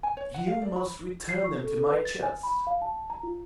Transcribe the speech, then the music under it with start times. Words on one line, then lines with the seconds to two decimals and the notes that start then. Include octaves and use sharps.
"You must return them to my chest."
0.03 G#5
0.17 C#5
0.34 F#5
0.47 F5
0.62 D5
0.76 B5
1.29 C7
1.44 C#6
1.64 A4
1.76 A4
1.91 B4
2.05 A6
2.23 G#5
2.43 B5
2.67 F5
2.81 A5
3.10 A#5
3.23 F4